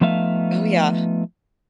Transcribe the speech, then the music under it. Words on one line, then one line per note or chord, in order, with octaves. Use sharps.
Oh, yeah.
F3 A3 B3 D#4 E5 F5